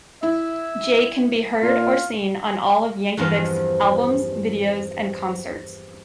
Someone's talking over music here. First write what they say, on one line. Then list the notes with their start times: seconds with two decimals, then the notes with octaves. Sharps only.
Jay can be heard or seen on all of Yankovic's albums, videos, and concerts.
0.23 E4 E5
1.63 A#2 F4
3.17 E2 G2 F3 C4 D#5 F5